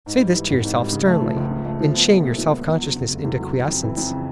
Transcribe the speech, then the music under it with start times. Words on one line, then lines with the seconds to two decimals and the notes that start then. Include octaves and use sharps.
Say this to yourself sternly, and shame your self-consciousness into quiescence.
0.06 G#2
0.21 G3
0.35 E3
0.50 G#1
0.64 G#2
0.78 G3
0.93 C#3
1.07 A3
1.22 F3
1.37 C#2
1.51 C#3
1.66 A3
1.80 F3
1.94 B3
2.08 G#3
2.23 A#2
2.38 F3
2.52 B3
2.67 E2
2.82 F#3
2.95 C#3
3.10 F1
3.24 E2
3.40 F#3
3.54 C#3
3.68 F2
3.82 E3
3.97 F2
4.12 C#3